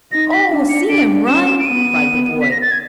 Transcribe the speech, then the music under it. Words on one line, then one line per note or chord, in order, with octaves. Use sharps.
"Oh, see him run!" cried the boy.
D#4 A#6
B6
D4
C#7
D4 D7
C#4 E7
E7
D7
B3 D#7
B6
A#6
A6
G#6